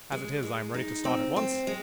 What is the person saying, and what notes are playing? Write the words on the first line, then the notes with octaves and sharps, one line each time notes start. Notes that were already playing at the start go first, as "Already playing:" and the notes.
As it is, I am ready to start at once.
G#3
G#3
D#4
C4
C4
G#3